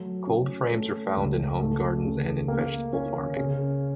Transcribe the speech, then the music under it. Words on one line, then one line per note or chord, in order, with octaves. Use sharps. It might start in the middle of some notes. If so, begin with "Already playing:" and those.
Cold frames are found in home gardens and in vegetable farming.
Already playing: F#3 A3
C#4
A3
C#2
A3
C#3
A#3
C#4
C#3